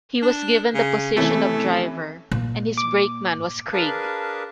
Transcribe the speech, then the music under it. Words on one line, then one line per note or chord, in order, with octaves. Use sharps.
He was given the position of driver and his brakeman was Craig.
D4
C#3
C3 E3 A3 C#4
A#2
D6
D4 G#4 A#4 B4 F5 A5